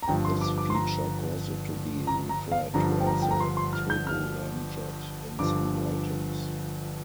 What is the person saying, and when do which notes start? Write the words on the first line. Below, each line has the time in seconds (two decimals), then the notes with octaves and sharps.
This feature caused it to be referred to as a turboramjet in some writings.
0.03 A#5
0.08 G1 G2 F3 G5
0.25 C6
0.41 D6
0.58 D6
0.70 C6
0.75 A#5
2.07 A#5
2.29 A#5
2.52 F5
2.73 G1 G2 D3 F3 A#5
3.00 G5
3.07 A#5
3.22 G5
3.31 A#5
3.40 C6
3.57 C6
3.73 F6
3.90 G6
4.07 F6
5.39 G1 G2 F3 D6